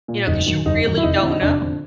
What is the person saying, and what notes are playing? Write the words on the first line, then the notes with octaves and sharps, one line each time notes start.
You know, 'cause you really don't know.
A#2
F#1 D#4
F#2 D#3
F#1 D#4
F#2 D#3
E4
F1 D#4
E4
F2 D3
D#4
F1 D4
F2 D3